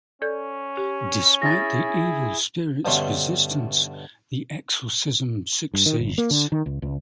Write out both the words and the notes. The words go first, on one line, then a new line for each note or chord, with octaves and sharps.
Despite the evil spirit's resistance, the exorcism succeeds.
C#4 A4 D5 G6
G4
E4 G#4 A6 A#6
G2 B2 D3 A3 C#4 C6
G2
D#3
G1
A#3
D3
D#3
C#2
C#2